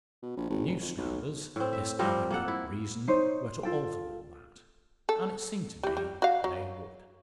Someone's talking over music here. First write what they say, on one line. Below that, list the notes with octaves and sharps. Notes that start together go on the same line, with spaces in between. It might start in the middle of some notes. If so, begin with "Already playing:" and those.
The new standards, this advocate reasoned, were to alter all that, and it seemed to me they would.
B2
A#1
G#1
F1
F2
B1
A2 C4
E5
F3 G3 C4 A#4
A#3 A4 F#5
E4
D#4 C5 C#5
F4 A4 G5
A4
E3 G3
G3
F#4 F5
F#3